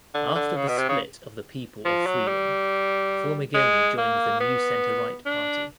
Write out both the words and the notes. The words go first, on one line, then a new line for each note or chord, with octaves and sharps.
After the split of the People of Freedom, Formigoni joined the New Centre-Right party.
D3
D3
C#3
B2
C3
C#3
F3
F#3
G3
G#3
A#3
B3
D4